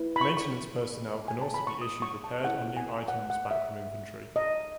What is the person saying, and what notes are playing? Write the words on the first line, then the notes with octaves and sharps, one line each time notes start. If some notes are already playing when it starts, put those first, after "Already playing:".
Maintenance personnel can also be issued repaired or new items back from inventory.
Already playing: E4 B4
B5
C#6
C#6
G#5
A5
B5
C#6
D#6
C#6
A5
C#4 E4 A4 C#5 F#5
G#5
F#5
F#5
E5
D#5